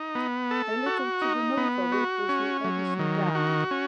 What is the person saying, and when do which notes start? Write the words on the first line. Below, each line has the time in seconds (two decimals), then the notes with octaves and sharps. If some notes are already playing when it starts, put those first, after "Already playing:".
A little to the north of it is the Edersee dam.
Already playing: D#4
0.15 B3
0.51 A4
0.86 F#4
1.22 D#4
1.57 B3
1.92 F#4
2.29 C#4
2.64 F#3
2.99 D#3
3.35 F#4
3.71 C#4